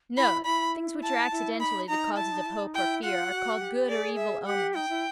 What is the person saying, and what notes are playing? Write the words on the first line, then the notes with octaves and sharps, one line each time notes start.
Note.--Things which are accidentally the causes of hope or fear are called good or evil omens.
E4 B5
E4 B5
A5
E4
D#4 B5
D#4 A#5
E4 A5
D#4
E4
D#4
E4 G5
F4 F#5
F#4
G4
G#4 D5
E5
G4 F#5
D#4 G5
E4